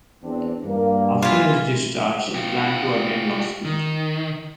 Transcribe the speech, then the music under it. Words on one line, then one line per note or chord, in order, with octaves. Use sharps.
After his discharge he planned to attend law school.
E2 C4 D4
G2 A#3
E3 F4
F4 G4
D#3